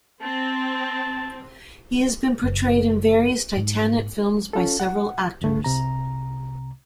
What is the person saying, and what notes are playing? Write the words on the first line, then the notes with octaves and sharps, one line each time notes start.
He has been portrayed in various "Titanic" films by several actors.
C4 A5
F#1
G#2
C#4 F4 A4
F#5
C#2 G2 A3
C2 C3 A#5